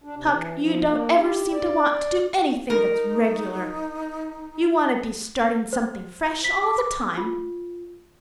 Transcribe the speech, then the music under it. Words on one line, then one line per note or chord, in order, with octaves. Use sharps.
Huck, you don't ever seem to want to do anything that's regular; you want to be starting something fresh all the time.
D4
C3
E3
F3
A#3
G4
D5
D#4 A#4
C5
B6
D6
F4